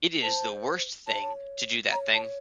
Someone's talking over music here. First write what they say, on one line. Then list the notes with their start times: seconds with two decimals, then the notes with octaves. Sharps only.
It is the worst thing to do that thing.
0.22 C5 A5
1.07 C#5 A5
1.14 C5
1.22 C#5
1.91 C#5 A#5
2.13 A5